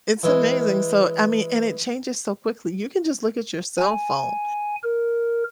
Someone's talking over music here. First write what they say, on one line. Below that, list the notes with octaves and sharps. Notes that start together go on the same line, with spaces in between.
It's amazing, so, I mean and it changes so quickly; you can just look at your cell phone.
E3 G#3
G#5
A#4